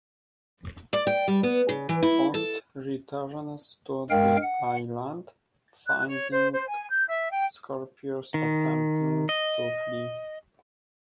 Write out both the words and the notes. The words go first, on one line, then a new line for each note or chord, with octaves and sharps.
Bond returns to the island, finding Scorpius attempting to flee.
D5
G5
G3
B3
C#3
E3
E4
A4
G2 G#3 A#4 F5 G5
F#5
F#6
C#5
C5
C5
G#5
G6
E5
G5
D#3
D#5